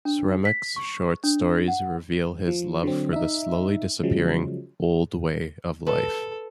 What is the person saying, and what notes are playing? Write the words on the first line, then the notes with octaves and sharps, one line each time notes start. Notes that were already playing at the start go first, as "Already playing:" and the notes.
Sremac's short stories reveal his love for the slowly disappearing "old way" of life.
D4
B6
C#6
D4
F#5
F3
D3 F#3 C4
D#4 E5
C#3 F3 F#3 G#3
A4 B4